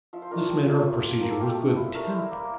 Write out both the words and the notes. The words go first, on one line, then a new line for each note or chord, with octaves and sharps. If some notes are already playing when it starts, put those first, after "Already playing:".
This manner of procedure was good-tempered.
F3 E5
C5
A3 D4 F4 A#4
A4
F3 G4
A3 D4 F4
A#3
F4
A#3 A#4
A4
F4 G4
A4
A3
E4
A3 A#4
C5
E4
A#5
A#3